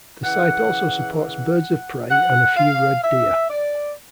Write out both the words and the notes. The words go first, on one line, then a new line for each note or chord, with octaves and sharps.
The site also supports birds of prey and a few red deer.
C#3 E3 F#5
F#5
F#5
F5
E5
D5